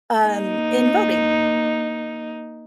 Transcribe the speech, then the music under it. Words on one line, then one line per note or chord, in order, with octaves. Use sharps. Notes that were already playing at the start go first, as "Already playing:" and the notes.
um, in voting.
A#3 D#4